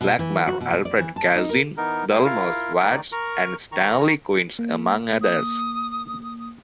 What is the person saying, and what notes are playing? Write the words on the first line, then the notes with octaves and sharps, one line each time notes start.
Blackmur, Alfred Kazin, Delmore Schwartz, and Stanley Kunitz among others.
B2
E3
F#4
B2
B2
D5
E3
A5
D#4
A#4
E3 B3 D#4 A#4
G3 A#3 G#4 G5
E4 F4 A#4 F5
D#3 A3 D#4 D5
A#4 A#5 C#6
D#3 A#5 C#6
A#3
D#6